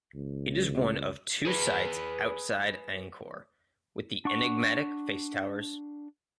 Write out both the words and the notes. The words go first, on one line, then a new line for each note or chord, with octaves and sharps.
It is one of two sites outside Angkor with the enigmatic face-towers.
C#2
G#4 B4
D4 F#5 C#6